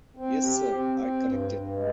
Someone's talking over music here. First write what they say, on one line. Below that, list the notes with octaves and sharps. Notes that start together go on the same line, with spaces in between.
Yes, sir, I corrected.
C4
G4
C4
C4
G2
G2
G#3